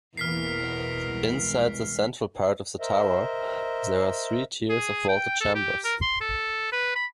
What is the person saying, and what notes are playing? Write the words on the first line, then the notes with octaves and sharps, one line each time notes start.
Inside the central part of the tower there are three tiers of vaulted chambers.
E2 B2 E3 A#3 A#4 F6 B6 C7
C2 E3 G#3
A#4 C5 D#5 E5
G#4
G5
A4
G4
A#4
C6
A4
B4
B5